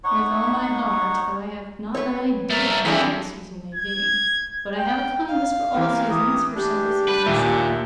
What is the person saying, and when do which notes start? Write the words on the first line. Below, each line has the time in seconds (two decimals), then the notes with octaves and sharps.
'With all my heart, though I have not an idea who little Susan may be. But I have a kindness for all Susans, for simple Susan's sake.'
0.04 D#4 C#5 F#5 C#6
1.95 B4 C#5
2.50 A3 A#4
2.85 F2 E3 G#3 D4
3.74 G#6
4.76 G5
5.28 F5
5.74 E3 A#3 G4 A#4
6.10 E3 D#6
6.55 D4 G4
7.08 B4
7.26 D#2 A#2 E5